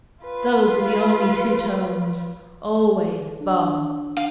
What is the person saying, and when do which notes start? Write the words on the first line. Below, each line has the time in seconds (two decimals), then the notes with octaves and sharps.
Those are the only two tones. Always bum!
0.23 F4 B4
3.40 D4
4.17 D4 F5